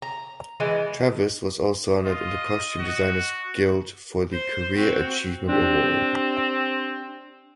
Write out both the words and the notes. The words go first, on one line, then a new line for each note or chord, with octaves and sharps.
Travis was also honored in the Costume Designers Guild for the Career Achievement Award.
A#5
E3 G#3 B3
F4 D#5
F#4
C5 C6
C4 F#4
C4 D4 G4